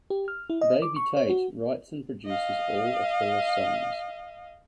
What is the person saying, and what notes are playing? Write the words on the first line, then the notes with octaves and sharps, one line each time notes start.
Baby Tate writes and produces all of her songs.
G4
F6
E4
D#5
D6
C#6
C#5
F#4
D#5 F5